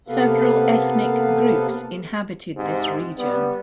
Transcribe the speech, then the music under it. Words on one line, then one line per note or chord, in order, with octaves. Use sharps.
Several ethnic groups inhabited this region.
C3 A#3 B3 A4 B4 F5
G#2 C3
G3 B3